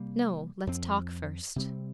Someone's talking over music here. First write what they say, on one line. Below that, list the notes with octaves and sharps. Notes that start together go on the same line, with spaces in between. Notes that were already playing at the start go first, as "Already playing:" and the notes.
'No, let's talk first.'
Already playing: C3 G3 A#3
F2 F3 C4
C3 G3 C4